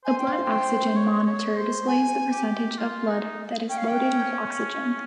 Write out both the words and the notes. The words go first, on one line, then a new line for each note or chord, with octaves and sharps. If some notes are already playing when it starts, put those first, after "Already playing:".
A blood-oxygen monitor displays the percentage of blood that is loaded with oxygen.
C5 G#5
G5
F5
G5
C#5
C#5
C5
G#5
G4
F4
D#4
C#4 G5
F5
G5